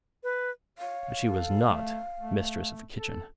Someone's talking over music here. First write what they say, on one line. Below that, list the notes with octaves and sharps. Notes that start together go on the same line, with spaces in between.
But she was not mistress of the kitchen.
B4
C#5 F5
A4
A3
A3
A4